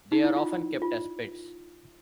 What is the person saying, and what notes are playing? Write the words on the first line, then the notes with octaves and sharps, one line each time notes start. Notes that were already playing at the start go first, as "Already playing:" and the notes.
They are often kept as pets.
D#4
E4
F4
F4